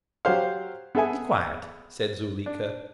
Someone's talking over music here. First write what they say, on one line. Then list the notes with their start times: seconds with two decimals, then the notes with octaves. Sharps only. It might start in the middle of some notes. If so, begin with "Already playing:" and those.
"Be quiet," said Zuleika.
0.25 F#3 G4 C5 F5
0.95 B3 G#4 A4 E5 G#5
2.46 D4